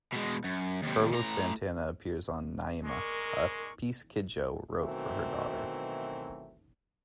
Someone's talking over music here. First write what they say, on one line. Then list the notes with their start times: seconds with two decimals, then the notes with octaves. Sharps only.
Carlos Santana appears on "Naima", a piece Kidjo wrote for her daughter.
0.12 B2 G#3
0.44 F#2
0.82 D#2 C3
1.12 A2 A#5
2.84 G#3 A#4 D5 C#6
4.79 B2 D#3 E3 F#3 A3 C4